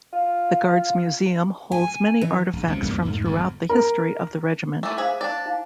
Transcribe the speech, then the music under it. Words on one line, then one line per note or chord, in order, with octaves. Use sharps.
The Guards' museum holds many artifacts from throughout the history of the regiment.
F4
G#5
E3
A#1
C#2 C3
C2 F#2 E3 A#3
F2 G#2 A3
G1 F2 G#2
A#4
E3 A3 D6
G#4 C5 E5 F5
D4 D5
D#4 E4 F5